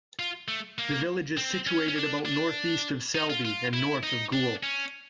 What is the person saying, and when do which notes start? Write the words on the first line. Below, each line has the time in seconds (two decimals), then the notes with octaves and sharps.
The village is situated about north-east of Selby, and north of Goole.
0.19 F4
0.48 A3
0.78 A#3
1.37 C4
1.67 C#4
1.88 C#4
1.96 D4
2.25 D4
3.15 D#4
3.30 F4
3.45 F4
3.73 E4
4.03 D#4
4.33 D4
4.63 C#4